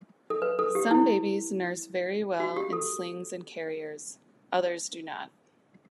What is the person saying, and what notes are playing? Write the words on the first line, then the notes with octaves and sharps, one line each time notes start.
Some babies nurse very well in slings and carriers, others do not.
A4
B4
A4
G4
E4
F#4
G4
A4